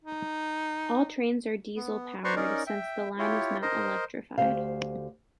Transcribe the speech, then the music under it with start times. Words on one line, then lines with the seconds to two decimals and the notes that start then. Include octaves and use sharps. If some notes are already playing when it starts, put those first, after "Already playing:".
All trains are diesel-powered, since the line is not electrified.
0.04 D#4
1.76 B3
2.24 B4 C5 D5 A#5 C6 C#6
2.36 C#4 D#4 A#4 D5
2.67 E5 G5
3.19 E4 F4 G4 C#5
3.62 A#4 C5 D#5
4.38 D2 G4 C5 F5